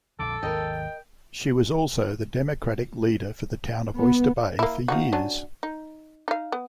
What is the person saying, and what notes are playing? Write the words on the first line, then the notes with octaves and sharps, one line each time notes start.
She was also the Democratic Leader for the Town of Oyster Bay for years.
A#1 F2 D3 A4 D6
G#1 D#2 A#4 D#5 G5
B3
A#3 E4
F3 D#4 F#4
F#3 C#4 D4
D#4
D#4 F5
B3